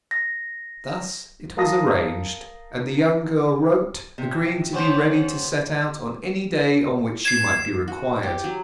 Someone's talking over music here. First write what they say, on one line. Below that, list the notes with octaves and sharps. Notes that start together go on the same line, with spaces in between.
Thus it was arranged; and the young girl wrote, agreeing to be ready to set out on any day on which she might be required.
A#6
A#4 F5 A5 D#6 A#6
C3
B3 C#4 C5
G#6 C7 E7
F#4
G4
F#3